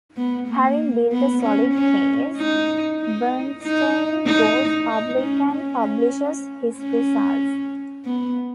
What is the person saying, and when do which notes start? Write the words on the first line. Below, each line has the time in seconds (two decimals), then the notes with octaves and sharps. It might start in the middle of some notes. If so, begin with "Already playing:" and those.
Having built a solid case, Bernstein goes public and publishes his results.
0.17 B3
0.48 A#3
1.12 B3
1.43 C#4
1.74 C#4
2.37 D#4
3.00 D#4
3.63 D#4
4.26 D#4
4.89 D#4
5.20 C#4
5.52 C#4
6.79 C#4
8.05 B3